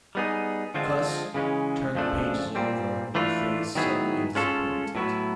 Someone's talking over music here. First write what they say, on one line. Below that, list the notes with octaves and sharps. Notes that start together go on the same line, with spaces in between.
Cuss turned the pages over with a face suddenly disappointed.
G3 B3 D#4 G#4
D3 F3 G#3 C4 F4
C#3 E3 G#3 C#4
F2 C#3 F3 A3 D4
A#2 G3 C4
E3 A3 D4 F4
D#3 F#3 B3 E4 G#4
G#3 C#4 F4 A4
A2 F#3 B3 E4